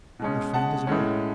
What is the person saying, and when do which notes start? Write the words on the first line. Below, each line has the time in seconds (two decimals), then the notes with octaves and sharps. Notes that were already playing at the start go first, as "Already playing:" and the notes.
The friend is right.
0.19 B2 G#3 C#4
0.54 F#5 A5
0.87 A2 G#3 C#4